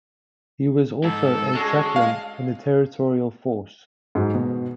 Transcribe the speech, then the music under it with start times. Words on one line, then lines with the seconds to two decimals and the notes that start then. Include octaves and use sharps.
He was also a chaplain in the Territorial Force.
1.04 G#2 A4
1.55 G#3 C#4 D4 F#4
1.96 F5
4.15 G#2 F#3
4.35 B2